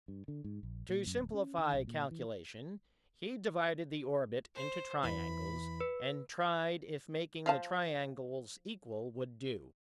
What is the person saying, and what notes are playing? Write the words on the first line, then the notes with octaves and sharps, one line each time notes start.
To simplify calculation, he divided the orbit into triangles, and tried if making the triangles equal would do.
G2
D3
G#2
A#1
A#2
F#2
D1
C#4
D#3
B1
A#2
E3
C5
E2 E3 B5
B4
F3 F5 A5